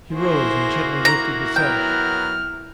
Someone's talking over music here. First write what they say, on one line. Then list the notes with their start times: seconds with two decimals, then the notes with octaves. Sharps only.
He rose and gently lifted the sash.
0.14 A#3 E4 F#4 G#4 C5
1.05 E4 A#5
1.56 F#3 B3 A#4 G5 F6